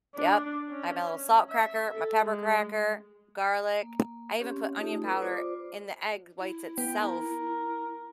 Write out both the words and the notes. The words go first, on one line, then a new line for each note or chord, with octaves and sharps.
Yep, I have my little salt cracker my pepper cracker, garlic, I even put onion powder in the egg whites itself,
D4
C#4
E5
A4
G#3
A#3
C4 C#4 G4 C#5
A3 D#4 F4 G4
A4 B4 B5 D#6
F4 C5 D5 D6
E4
B3 G5
A#4